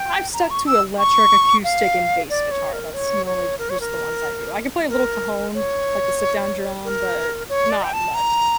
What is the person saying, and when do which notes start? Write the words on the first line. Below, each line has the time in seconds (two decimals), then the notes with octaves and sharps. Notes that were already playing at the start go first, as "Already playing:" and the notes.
I've stuck to electric, acoustic, and bass guitar. That's normally j just the ones I do. I can play a little cajon, like the sit-down drum, but not much.
Already playing: G5
0.34 A#5
0.50 C#6
0.67 E6
0.98 C#6
1.64 F5
2.30 D5
2.51 C#5
2.73 A#4
2.94 C#5
3.26 C#5
3.59 A#4
3.70 C#5
3.80 A#4
4.89 A#4
5.54 C#5
6.85 A#4
7.49 C#5
7.71 D5
7.83 G5
7.93 A5
8.14 A#5